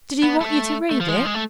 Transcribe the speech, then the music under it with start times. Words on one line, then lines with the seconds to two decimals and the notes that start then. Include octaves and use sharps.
"Did he want you to read it?"
0.23 B3
0.41 A3
0.91 A3
1.01 F3
1.08 G#3
1.17 F3
1.25 G#3
1.35 A3